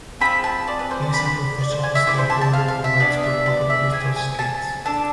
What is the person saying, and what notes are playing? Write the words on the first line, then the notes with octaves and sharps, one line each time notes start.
He is a professional skateboarder who rides for Pocket Pistols Skates.
C4 F4 G#4 B5
A5
D5
B4
C5
D5
D4 G#4 B5
D5
C5
G#5
E5
C4 E4 G#4 D5
C5
A5
A5
F5
F5
E5
B3 D4 G#4 D5
E5
D5
E5
C4 G#4 G#5
G#5
A5
D4 A4 A5